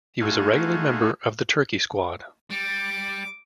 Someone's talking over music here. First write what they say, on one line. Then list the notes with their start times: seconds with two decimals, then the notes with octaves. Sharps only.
He was a regular member of the Turkey squad.
0.22 A3 D#4 F4 F#4 G#4
2.51 G3 D6